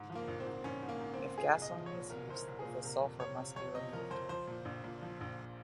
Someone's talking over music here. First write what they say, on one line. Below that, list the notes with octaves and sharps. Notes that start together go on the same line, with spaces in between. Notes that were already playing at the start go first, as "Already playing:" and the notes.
If gasoline is used, the sulfur must be removed.
Already playing: G#2
F3
A#3
A#1
C4
G#2
A#1 C#4
G#2
A#3
G#2
C4
G#2
A#2 G#4
C2
D#5
F3
C#5
A#2
C2 A#4
C2 C5
A#4
C2
G#4
A#2
C3 A#4
F2
C3 C#5
C3
F2 C#5
C3 D#5
F3 A#4
F2 C5
F3 C5
A#2
A#1
A#2
F3
A#1